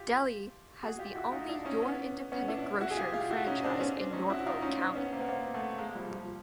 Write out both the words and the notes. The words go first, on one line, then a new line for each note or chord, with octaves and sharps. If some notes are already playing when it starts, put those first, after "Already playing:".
Delhi has the only Your Independent Grocer franchise in Norfolk County.
Already playing: F4 G4
F#4 G#4
F4 G4
E4 F#4
D#4 F4
D4 E4
C#4 D#4
B3 C#4
B3 C#4
D4 E4
E4 F#4
G#4
F4 G4
F4 G4
E4 F#4
C#4 D#4
C4 D4
B3 C#4
C4 D4
C#4 D#4
E4 F#4
D#4 F4
C#4 D#4
C4 D4
B3 C#4
A#3 C4
B3
A#3 C4
A3 B3
G#3 A#3
F3 G3
F3